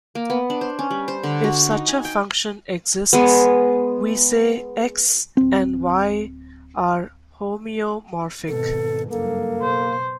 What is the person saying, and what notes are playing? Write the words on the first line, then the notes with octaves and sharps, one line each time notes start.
If such a function exists, we say "X" and "Y" are homeomorphic.
A#3
B3
D4
C5
C#4
G3
C5
D3
F#4
D#4
G#5
G5
G#3 B3
D1 C4
G#1 B2 A4
F#1 G2 A#3 A4
B2 C5